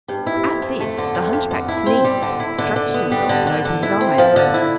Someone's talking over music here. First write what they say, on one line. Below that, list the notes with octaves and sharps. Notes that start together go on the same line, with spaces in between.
At this the hunchback sneezed, stretched himself and opened his eyes.
G2
E4
F2
F2
A3
D3
F2
F2
D3
E4
C4
G3
D3
E4
D3
D3
B3
G3
D3
D3
D3
E4
C4
F3
D3
E4